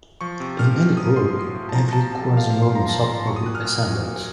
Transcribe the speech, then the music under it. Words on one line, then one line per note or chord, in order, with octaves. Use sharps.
In any group, every quasinormal subgroup is ascendant.
F3 C#6
C3
F3 F6
F3
F#3 D#6
A2 C6
F#3
A2
A5
F3 A#5
F3 A5
C3 A5
F3
F5
F3 F5
C6
F3
A#5
F3 A5
C6
A#2 A#5
F#3 C#6
D#6
A#2 F#6
F6
A#2 F6
F#3
A#2